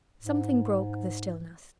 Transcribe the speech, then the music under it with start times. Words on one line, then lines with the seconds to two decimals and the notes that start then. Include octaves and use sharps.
Something broke the stillness.
0.22 G#2